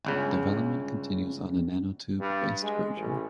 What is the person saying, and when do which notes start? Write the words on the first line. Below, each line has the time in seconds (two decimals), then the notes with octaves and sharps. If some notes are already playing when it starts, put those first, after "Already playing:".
Development continues on a nanotube based version.
0.05 G1 C#2 C#3
2.20 G2
2.63 G#3
2.97 A1